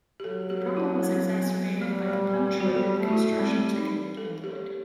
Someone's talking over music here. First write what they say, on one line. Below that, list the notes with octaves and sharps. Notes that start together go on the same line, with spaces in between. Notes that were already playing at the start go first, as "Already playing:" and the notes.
The problem was exacerbated by the punch rivet construction technique employed.
G4
F#3 A4
G4
E4
C4
B3
G3 A3
A3
B3
G3 F#4
A4
G4
A3
F#4
E4
G3 C4
D#4
A4
G4